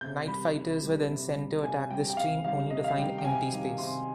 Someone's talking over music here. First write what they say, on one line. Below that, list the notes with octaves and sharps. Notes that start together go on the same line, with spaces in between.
Night fighters were then sent to attack this stream, only to find empty space.
C3 G6
G3 B5
C3
G3
C3
G3
C3 G#5
G3 G5
G5
C3 F5
D#3 G3 F5
C3 D#5
F5
D#3 G3 G5
G5
C3 G#5
D#3 G3
C3 C6